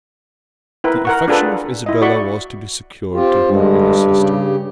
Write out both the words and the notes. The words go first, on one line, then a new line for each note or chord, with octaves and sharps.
The affection of Isabella was to be secured to her in a sister.
E4 A#4 B4
A#4 F#5 C#6
D4 F4 G#4 A4 B4
E4 D#5
F#4 D5 B5 C#6
C4 F4 G4
G2 D3 G#3
C#3 G4